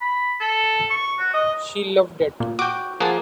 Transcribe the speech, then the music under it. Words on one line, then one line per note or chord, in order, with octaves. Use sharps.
She loved that.
B5
A4
C#6
F#4
D#5
A#2
F#4 G5 D6
F3 A#3 G#4 F#5 A5